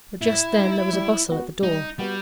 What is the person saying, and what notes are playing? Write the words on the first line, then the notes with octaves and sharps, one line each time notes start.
But just then there was a bustle at the door.
A2 E4
G3 D#4
G3
B3 F#4
G3 D#4
G3 B3 F#4